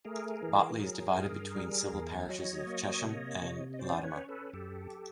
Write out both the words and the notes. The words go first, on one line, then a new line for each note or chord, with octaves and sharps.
Botley is divided between the civil parishes of Chesham and Latimer.
A3 G#4 A#4
E3
F#3 G#4 A#4
G2
G3
E2
F#3 C#5 D#5
A#3
C3
C3
D#5
C#4 C5 D5
B4 C#5
C#4
A4 B4
F#2 G4 A4